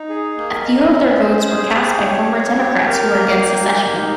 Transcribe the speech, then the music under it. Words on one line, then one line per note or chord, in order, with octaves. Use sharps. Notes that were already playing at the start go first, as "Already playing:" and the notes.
A few of their votes were cast by former Democrats who were against secession.
Already playing: D#4
G#4
A#3
D#5
C#4
C5
G#4
G4
C#5
C#5
G4
A#4
A#3
G4
A#3
D#4